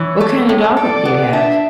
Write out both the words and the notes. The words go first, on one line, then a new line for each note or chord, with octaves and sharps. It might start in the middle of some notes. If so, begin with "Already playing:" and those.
What kind of dog do you have?
Already playing: E3 C#5
A3
A2
A4 D5
B3
D4 E5